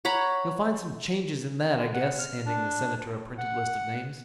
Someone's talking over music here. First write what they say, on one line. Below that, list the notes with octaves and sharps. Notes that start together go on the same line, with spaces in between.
"You'll find some changes in that I guess," handing the Senator a printed list of names.
C#5 F#5 A#5 B5
D3
F#5
F6
D4
A2
F#5